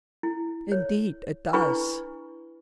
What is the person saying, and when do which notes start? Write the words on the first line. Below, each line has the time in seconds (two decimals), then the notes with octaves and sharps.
"Indeed it does."
0.23 E4
0.72 C#5
1.53 D4 E4 B4 B5 C#6